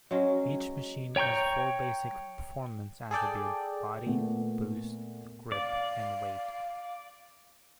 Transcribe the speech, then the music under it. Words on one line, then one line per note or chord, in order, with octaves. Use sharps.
Each machine has four basic performance attributes: body, boost, grip and weight.
F#3 G#3 C#4
C#5 G5 A#5 C#6 G6
G#4 A4 D5 G5
A#2 A3 B3
D5 F5